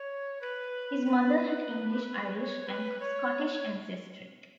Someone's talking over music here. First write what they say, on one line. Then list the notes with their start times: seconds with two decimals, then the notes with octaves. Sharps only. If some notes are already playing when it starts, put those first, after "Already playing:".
His mother had English, Irish, and Scottish ancestry.
Already playing: C#5
0.41 B4
1.05 B4
2.35 C#5
2.67 B4
3.00 C#5